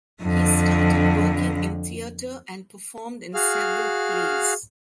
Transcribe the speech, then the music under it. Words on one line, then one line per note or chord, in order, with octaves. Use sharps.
He started working in theatre and performed in several plays.
F2 D3
F#4 G#4 F5 F6